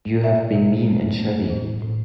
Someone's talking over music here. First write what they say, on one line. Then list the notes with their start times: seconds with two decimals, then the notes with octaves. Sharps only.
You have been mean and shabby.
0.24 B2 E5
0.55 B2
0.87 A3
1.19 A3
1.50 A2
1.82 A2